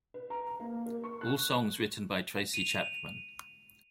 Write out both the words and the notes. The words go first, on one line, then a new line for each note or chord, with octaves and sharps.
All songs written by Tracy Chapman.
B4
A#5
A#3
A#4
C#6
F#6
D#7 F7